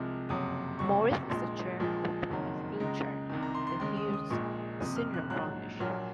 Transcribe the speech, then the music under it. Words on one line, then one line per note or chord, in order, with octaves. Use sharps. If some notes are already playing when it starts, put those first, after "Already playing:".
Morris is the Chair of the medical charity, the Hughes Syndrome Foundation.
Already playing: C2 C3 F3 G#3 F6
F#1 F2 C3 F#3 D#6
F#1 F2 C3 F#3 C#6
A#1 A#2 G#3 C6
A#1 A#2 F3 G#3
F#1 F2 D#3 F#3
C#2 C#3 G#3 A#5
C2 C3 D#3
A#5
C6
C6
D#2 C#3 G#3 C6
D#6
D#6
A#1 A#2 G#3 C#6
F#1 F2 C3 D#6
F6
F#6
A#1 G#2 F#3 F#6
A#1 A#2 F#3 F6